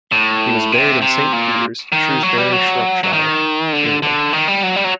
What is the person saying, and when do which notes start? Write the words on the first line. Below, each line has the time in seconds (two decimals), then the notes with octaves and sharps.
He was buried in Saint Peter's, Shrewsbury, Shropshire, England.
0.12 A2
0.72 C3
1.02 C3
1.33 A#2
1.92 D#3
2.23 F#3
2.37 G3
2.53 F#3
3.03 F#3
3.13 D#3
3.73 D3
4.03 D3
4.33 D#3
4.48 G3
4.63 F#3
4.76 G3
4.84 F#3